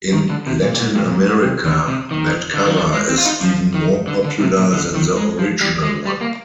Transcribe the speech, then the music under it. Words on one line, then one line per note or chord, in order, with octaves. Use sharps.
In Latin America, that cover is even more popular than the original one.
D#3
D3
C3
A#2
A#2
G#2
G2
A#2
G#2
G#2
C3
D3
C3
D#3
D3
D#3
F3
G#3
C4
F4
D#4
F3
D#3
D3
D3
C3
A#2
D3
D#3
G#3
F3
G3
G#3
G3
A#3